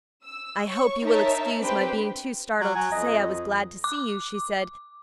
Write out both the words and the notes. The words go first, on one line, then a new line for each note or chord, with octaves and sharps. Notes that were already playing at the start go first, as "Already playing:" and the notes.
"I hope you will excuse my being too startled to say I was glad to see you," she said.
E6
C#5 C#6
D#4 A#4 C#5 E5 A5
C4 D4 G4 B4 C5 G5
F#3
F#3 G#5
F2 D#5
D6